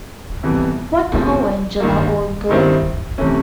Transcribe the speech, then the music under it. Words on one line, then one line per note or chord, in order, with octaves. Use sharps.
What ho, Angela, old girl.
F2 C3 E3 G3 B3
E2 C3 F3 A3
G2 D#3 G3 A#3
G2 D#3 G3 C4 E4
C3 E3 A3 C#4